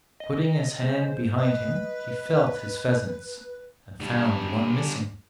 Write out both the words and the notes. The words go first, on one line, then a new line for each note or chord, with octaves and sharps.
Putting his hand behind him he felt his pheasants, and found one missing.
D#5
G#3 C5
B4 D#5
D3 G3